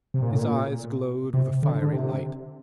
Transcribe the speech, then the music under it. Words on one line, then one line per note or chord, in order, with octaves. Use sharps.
His eyes glowed with a fiery light.
C3
A#2
A2
A#2
C3
D3
D3
C3